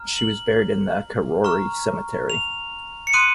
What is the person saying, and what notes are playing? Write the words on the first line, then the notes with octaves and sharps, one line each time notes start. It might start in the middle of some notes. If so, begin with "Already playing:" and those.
She was buried in the Karori Cemetery.
Already playing: A#5 F6
F#7
A#5 C#6 F6
F7
C#7
C6 D#6 F#6 D#7